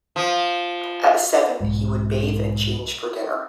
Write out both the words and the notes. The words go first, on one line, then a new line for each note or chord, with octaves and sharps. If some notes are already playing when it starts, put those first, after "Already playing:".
At seven he would bathe and change for dinner.
F3
B1 G#2